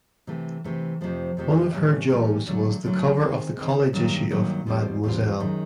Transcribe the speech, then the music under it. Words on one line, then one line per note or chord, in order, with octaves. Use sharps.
One of her jobs was the cover of the college issue of "Mademoiselle".
C3 E3 A3
C3 E3 A3
F2 C3 F3 A3
F2 C3 F3 A3
A2 E3 G3 A#3 C#4
A2 E3 G3 A#3 C#4
D3 F#3 A3
D3 F#3 A3
D#3 G#3 C4
D#3 G#3 C4
G2 D#3 F#3 A#3
G2 D#3 F#3 A#3
E2 B2 G3 C4 F4
E2 B2 G3 C4 F4
F#2 D#3 G#3